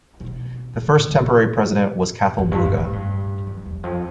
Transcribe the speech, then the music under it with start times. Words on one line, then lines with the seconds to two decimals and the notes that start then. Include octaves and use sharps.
The first, temporary president was Cathal Brugha.
0.20 B2
0.74 A2
1.11 A2
2.39 F2
2.52 G2
2.65 A2
2.79 A2
2.93 G2
3.47 F2
3.66 E2
3.83 F2